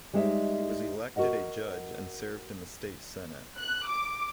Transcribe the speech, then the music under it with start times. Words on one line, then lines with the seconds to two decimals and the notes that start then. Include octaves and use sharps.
He was elected a judge and served in the state senate.
0.13 G3 G#3 D#4 C5 E5
1.16 F#4 A#4 D#5 F#5
3.59 F#6
3.88 D6